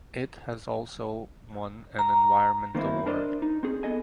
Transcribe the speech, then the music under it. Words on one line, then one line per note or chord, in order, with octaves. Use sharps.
It has also won an environment award.
A#5
D#3 A#3 C4 D#4 E4
D4 A#4 C5 D5 D#5
D#4
C4 C#4 G#4
B3 A4 D#5 G#5